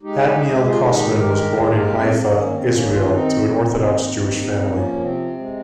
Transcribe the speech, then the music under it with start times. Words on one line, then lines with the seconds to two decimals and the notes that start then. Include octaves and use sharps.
Admiel Kosman was born in Haifa, Israel to an Orthodox Jewish family.
0.02 G#3 D#4 G4
0.41 G#3 G#4
0.53 G4
0.64 F4 G#4
0.79 D#3 D#4 G4
1.18 G#3 G4 A#4
1.55 A#3 G#4 C5
1.75 G4 A#4
1.94 A#3 C4
2.13 A#3
2.32 D#3 A#3 C#4
2.52 C4
2.71 D#3 A#3 C#4
2.90 C#4 F4
3.09 D#3 C4 D#4
3.48 D#3
3.86 A#3
4.24 A#3
4.61 F3 A#3 C#4
5.00 C3 C4
5.38 G#3